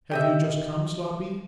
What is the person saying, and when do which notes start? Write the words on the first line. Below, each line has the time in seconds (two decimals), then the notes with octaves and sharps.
'Have you just come, Sloppy?'
0.11 G4 D#5 E5